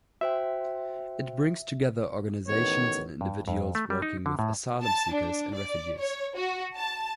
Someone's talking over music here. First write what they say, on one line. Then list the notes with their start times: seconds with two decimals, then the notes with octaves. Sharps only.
It brings together organisations and individuals working with asylum seekers and refugees.
0.21 F#4 C5 E5 G5
2.48 A1 D#3 B3 C#5
3.21 G2
3.48 F2
3.75 A3
3.90 G3
4.02 D#4
4.26 D3
4.39 A2
4.82 A5
5.13 D4
5.55 D5
5.98 C#5
6.36 F#4
6.76 A5